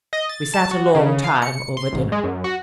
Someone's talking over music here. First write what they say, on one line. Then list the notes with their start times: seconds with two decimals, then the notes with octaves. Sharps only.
We sat a long time over dinner.
0.13 D#5
0.29 A6
0.54 A5
0.71 F#4
0.95 C#3
1.24 F5
1.42 C#7
1.77 C6
1.93 A1
2.12 G#3
2.24 F#2
2.44 F#4